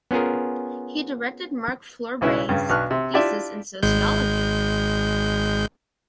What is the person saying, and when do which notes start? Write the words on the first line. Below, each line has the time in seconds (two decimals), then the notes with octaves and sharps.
He directed Marc Fleurbaey’s thesis in Sociology.
0.11 B3 C#4 F4 G#4 A#4
2.21 B1 C#3 C#4 E4 B4 E5
2.49 G2 C#3
2.69 B1 D4 B4 C#6 F6 F#6
2.91 C3
3.14 D4 E4 F4 G4 D5 E5
3.83 G#1 G#3 G6